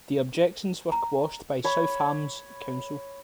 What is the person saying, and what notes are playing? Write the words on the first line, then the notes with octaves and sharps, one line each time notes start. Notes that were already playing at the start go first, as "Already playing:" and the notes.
The objections were quashed by South Hams council.
A#5
C#5 B5